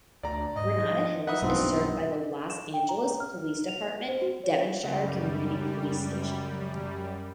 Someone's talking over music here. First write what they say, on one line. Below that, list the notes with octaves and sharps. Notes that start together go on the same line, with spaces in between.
Granada Hills is served by the Los Angeles Police Department Devonshire Community Police Station.
D2 D5 A#5
G#2 D#5
F3
D#4 E5 F#5 B5 D#6 F#6
B1 G2 F3 C4
E7
G5
A#5
F6
F7
C5
F#4
C#5
C#2 F#2 G3